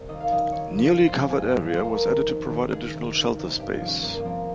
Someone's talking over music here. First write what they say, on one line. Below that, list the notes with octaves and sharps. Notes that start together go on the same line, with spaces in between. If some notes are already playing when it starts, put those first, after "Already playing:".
Newly covered area was added to provide additional shelter space.
Already playing: C2 C3
D#2 D#5
F5
C#3 F3 D#5
D#2 C#5
C#3 F3
G2
C5
F3 G5
G#5
G2
F3
C5
F2 A#4
D#3
F2
D#3
C#2 G#4
C3 D#3
C#2
C3 D#3
G2 G4
F4
F3
C#4
G2 A#3
A#3
F3 C4